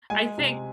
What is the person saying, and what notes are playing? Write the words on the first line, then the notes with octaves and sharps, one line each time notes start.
I think
G#3 G#5
C3